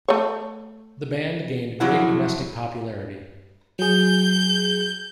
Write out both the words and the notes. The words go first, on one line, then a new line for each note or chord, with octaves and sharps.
The band gained great domestic popularity.
A3 C#5
F2 A2 F#3 E4 F#5
F#3 G#4 G6